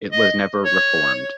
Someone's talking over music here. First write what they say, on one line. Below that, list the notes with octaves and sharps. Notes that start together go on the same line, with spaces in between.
It was never reformed.
D#5
C#5